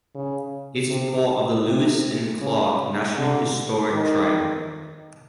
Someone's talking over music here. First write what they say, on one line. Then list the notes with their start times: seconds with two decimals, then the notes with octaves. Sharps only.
It is part of the Lewis and Clark National Historic Trail.
0.14 C#3
0.90 C3
1.65 C3
2.41 C#3
3.17 D3
3.93 D#3